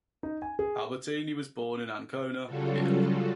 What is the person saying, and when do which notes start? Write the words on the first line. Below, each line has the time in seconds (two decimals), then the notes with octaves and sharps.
Albertini was born in Ancona, Italy.
0.23 D#4
0.42 G#5
0.59 G#4
2.46 C#3 F#3 G3 F4 F#4 A4